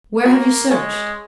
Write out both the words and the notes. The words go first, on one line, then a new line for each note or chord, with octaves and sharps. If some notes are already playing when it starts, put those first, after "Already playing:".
"Where have you searched?"
A#3 F#4
G#3 C#4